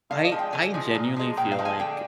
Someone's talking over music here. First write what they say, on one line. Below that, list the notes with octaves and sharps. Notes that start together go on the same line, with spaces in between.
I I genuinely feel like
D3 F5
D#5
F3 G#3
G5
D3 G#5
F3 G#3
A#2
F3 G#3
A#2 G5
F5
F3 G#3
G#5
D3 G5